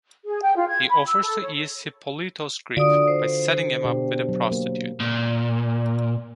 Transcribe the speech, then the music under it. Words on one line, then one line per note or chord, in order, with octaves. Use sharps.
He offers to ease Hippolito's grief by setting him up with a prostitute.
G#4
G5
F4
G#6
B5
E6
A4
C#5
D3 F4 F#4 D5 D#6
C5
B2 D4 G4
F#3
A#3
A#2